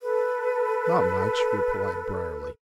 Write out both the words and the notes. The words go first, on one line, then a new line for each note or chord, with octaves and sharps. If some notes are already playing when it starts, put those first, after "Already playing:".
"Not much," replied Briarly.
A4 B4